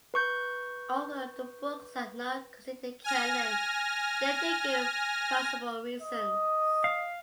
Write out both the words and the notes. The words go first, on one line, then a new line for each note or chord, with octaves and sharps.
Although the books are not considered canon, they do give plausible reasons.
B4 C#6 G6
G#5 F6 A#6
D#5
F5